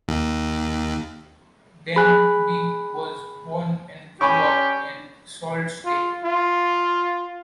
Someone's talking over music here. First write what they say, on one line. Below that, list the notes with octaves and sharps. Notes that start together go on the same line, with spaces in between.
Danby was born and grew up in Sault Ste.
D#2
G#4 G#5 B5 F#6
C#4 G4 G#5 B5 C#6
F4
F4